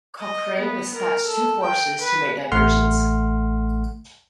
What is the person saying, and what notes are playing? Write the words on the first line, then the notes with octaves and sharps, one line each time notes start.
Cochrane dispatched two forces to make diversions.
D#5
B3
A#4
A4
G5
B4
A1 A3 F#5 C6 F6